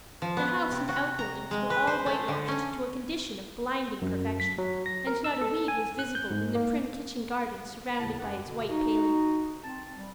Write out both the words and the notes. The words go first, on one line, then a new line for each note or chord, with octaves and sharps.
The house and out-buildings were all whitewashed to a condition of blinding perfection and not a weed was visible in the prim kitchen garden surrounded by its white paling.
F3
B3
C3
F#4
A#5
G#3
B4
C5
A3
D3
C#4
F#2
B6
F#3
A#6
A#4
E6
A4
G#5
F#6
G6
G#2
A#3
D#2 A2 C#3 B3 E4 A5
F#2 G4 B4 F#5
B2 D3
D#4 F#4
C4 A5
G3